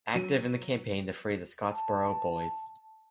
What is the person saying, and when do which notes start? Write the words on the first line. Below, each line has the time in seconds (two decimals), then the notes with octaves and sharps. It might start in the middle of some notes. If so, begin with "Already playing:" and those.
Active in the campaign to free the Scottsboro Boys.
0.14 F#3 D#7
1.73 A5